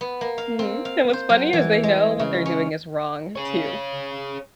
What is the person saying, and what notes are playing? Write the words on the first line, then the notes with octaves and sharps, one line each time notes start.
Mhm. And what's funny is they know what they're doing is wrong too.
B3
A#3
F5
C4
F5
C5
F#3
E3
G#3
C#3
C#4
G#4 C#5